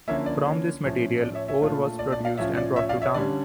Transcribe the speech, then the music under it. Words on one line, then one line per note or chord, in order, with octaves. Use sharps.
From this material, ore was produced and brought to town.
D3 F3 A#3 C#4 E4 C#5 E5
D5
C#5
A2 F3 C#4
D5
C#5 E5
C#5 E5
A#2 A3 D4 F4
D5
D5
D5 F5
A2 F3 C#4 F4 C#5 E5
D5
C#5 E5
D5 F5
C#5 E5
D3 G3 C#4 D5